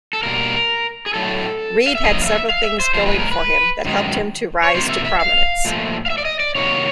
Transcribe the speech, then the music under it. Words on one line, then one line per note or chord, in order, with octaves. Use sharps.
Reid had several things going for him that helped him to rise to prominence.
A4
B2 G3 A#3 A#4
G#4
A2 F#3 A3 A4
F5
E5
F#2 D3 F3 A#3 D#5
F5
E5
F5
E5
C5
A#2 F3 G#3 C5
B4
A#4
B4
F#2 D#3 G#3
C#5
C3 F3 A#3 C5
E5
E5
F5
A#2 F3 A3
F5
E5
D5
D#5
D5
C3 D#3 F#3 A#3 C#5